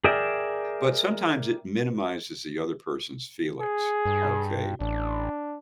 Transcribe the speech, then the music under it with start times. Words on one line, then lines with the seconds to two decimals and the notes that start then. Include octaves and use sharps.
But sometimes it minimizes the other person's feelings, okay?
0.04 G#4 A#4 D5 E5 G5
3.61 G#4
4.06 G2
4.80 A1 D4